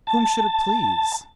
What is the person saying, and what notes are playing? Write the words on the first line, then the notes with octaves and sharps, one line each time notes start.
Whom should it please?
A5